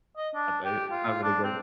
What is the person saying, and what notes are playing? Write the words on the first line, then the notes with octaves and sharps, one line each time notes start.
uh, they I don't really get it.
D#5
D4
G4
F4
D4
C4